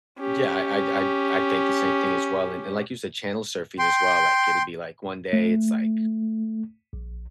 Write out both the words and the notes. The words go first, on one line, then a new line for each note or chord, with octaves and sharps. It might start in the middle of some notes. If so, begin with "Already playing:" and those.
Yeah, I'd I'd I'd think the same thing as well, and like you said, channel surfing as well, like, it'll be, like, one day it's, like,
C#4 G4
G5 C6
A3
A#1